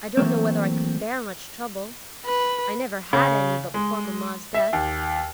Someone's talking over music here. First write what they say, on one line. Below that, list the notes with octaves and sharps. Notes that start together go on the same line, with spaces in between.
I don't know whether I could bear much trouble; I never had any but poor mamma's death.
E3 F#3 A3 A#3 C4
B4
C#3
G#3
E5
D#2